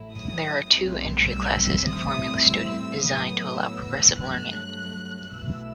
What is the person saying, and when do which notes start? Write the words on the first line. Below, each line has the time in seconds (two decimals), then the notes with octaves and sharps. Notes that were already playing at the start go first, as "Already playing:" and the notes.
There are two entry classes in Formula Student, designed to allow progressive learning.
Already playing: A1 A2 F#3 A3 E4
0.13 D#6
0.70 B1 A2 G3 C4
1.28 E6
1.86 A2 G3 C4 E4 D#6
2.44 E6
3.02 A2 F#3 B3 D#6
3.60 E6
4.18 G2 F#3 A3 F#6
5.34 B1 B2 A3 E4 E6